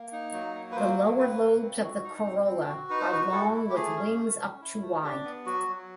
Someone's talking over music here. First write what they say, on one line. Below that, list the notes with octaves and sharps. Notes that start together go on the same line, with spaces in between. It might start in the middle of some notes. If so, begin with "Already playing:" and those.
The lower lobes of the corolla are long with wings up to wide.
Already playing: A#3
D#4
F#3
A#3
B4
F#3 C5
A#3
A#3 B4
F#3
C4
F#4
D#4
C4
C4
F#4
D#4 B4
C5
F#4 B4
E4 A4
E4
G4
A3 G#4
C#4
A3
C#4
E4
A3
D4 G4
B3
F#3 F#4
F#3